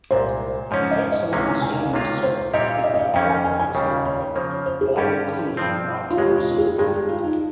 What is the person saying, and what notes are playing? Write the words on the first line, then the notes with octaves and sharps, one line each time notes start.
The Exilim Zoom series is the all-purpose line, all including an optical zoom.
C2 A#2 G#3 C5
G#2 F3 A#3 C#4 C#5
D#5
D#5
C#2 C3 D#3 A#3 C#4 G5
G#5
G#5
F5
C#2 C3 D#3 A#3 F4
C5
A#2 G3 C4 G4 C#5 D#5
F5
D#5
D#5
F5
F2 D#3 A#3 C#4 G5
G#5
G#5
G#5
D#2 C#3 G3 G5
F5
C#5
C#5
C#3 F3 A#3 C5
C#5
C5
G#4
G2 G3 C#4 G4
G2 F3 C4
F4
D#2 C#3 G#3 G4
F4
G#4
G2 D#3 G#3 G#4
G4
F4
D#4